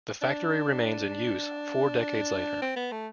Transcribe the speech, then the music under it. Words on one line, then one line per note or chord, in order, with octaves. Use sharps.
The factory remains in use four decades later.
D4
C4
B3
A3